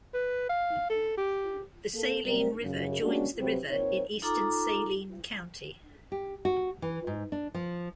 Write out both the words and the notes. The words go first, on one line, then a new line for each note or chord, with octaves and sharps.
The Saline River joins the river in eastern Saline County.
B4
F5
A4
G4
A#3 A4
C3 F#3 G3 C4 A#4
F#2 C#3
G3 G#3 A#3 C#4 D4 F#4
C3 F#3 C4 G4 B4
A#2 C4 D#4 A#4 C5 C#5
D#4 F4 A4 A#5 D6
G4
F#4
E3
G#2
D4
F3